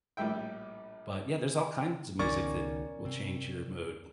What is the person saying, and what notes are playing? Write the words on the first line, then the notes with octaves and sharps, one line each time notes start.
But, yeah, there's all kinds of music that will change your mood.
A#1 A2 G3 E5 G5
C#2 B2 D#3 C#4 A#4 D5 C#6
C3 C4